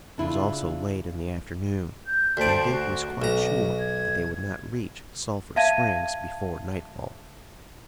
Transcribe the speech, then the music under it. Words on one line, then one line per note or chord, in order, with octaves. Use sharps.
It was also late in the afternoon and Dick was quite sure that they would not reach Sulphur Springs before nightfall.
C#3 D4 E4 F4
G6
D2 C5 D5 A5 C6
F#4
B1 A#5
G#6
E5 F5 A5 G#6 D#7